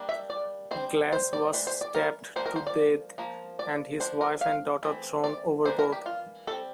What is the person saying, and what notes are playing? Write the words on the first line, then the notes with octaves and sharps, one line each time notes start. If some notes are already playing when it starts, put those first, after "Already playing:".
Glas was stabbed to death, and his wife and daughter thrown overboard.
Already playing: G3 A#3 D4
E5
D5
G3 C4 C5
C5
D5
E3 A3 D4 C5
C5
D5
A#4
F3 A#3 D4 C5
A#4
C5
D5
F3 A#3
D5
F3 A#3 D4 C5
A#4
F5
E3 A3 C4
D5
E3 A#3 D4 C5
A#4
G4
F4
G3 C4 A4